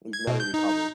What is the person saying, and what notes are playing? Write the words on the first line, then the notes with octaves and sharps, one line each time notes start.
He's never recovered.
G#6
B2
G6
D#4
D#4